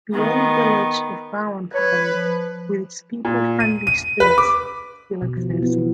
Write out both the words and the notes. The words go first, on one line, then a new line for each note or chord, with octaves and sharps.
The old village of Bowenpally with its people-friendly streets still exist.
D#3 B3
B4 C#5
F3
A#2
D#7
D#7
B4
D6
B2
F3
E3
B3
E3